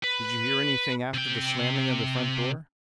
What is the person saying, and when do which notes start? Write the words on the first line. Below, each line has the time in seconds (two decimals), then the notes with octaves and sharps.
"Did you hear anything after the slamming of the front door?"
0.04 B4
1.14 C3 G5